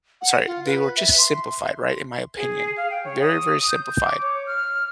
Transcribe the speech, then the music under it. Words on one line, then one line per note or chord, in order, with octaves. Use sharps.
sorry, they were just simplified, right, in my opinion. Very, very simplified,
F#5
F4
B4
E5
C6
G#4
F5
G5
C#5
D#6
G6
D6
C#5
F6